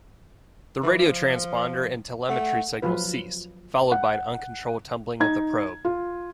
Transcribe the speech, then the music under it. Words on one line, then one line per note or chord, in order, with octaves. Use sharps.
The radio transponder and telemetry signals ceased, followed by uncontrolled tumbling of the probe.
E3
F3
A3 F#5
F3 F#3 F4 B4
F#5
D#4 G#6
F4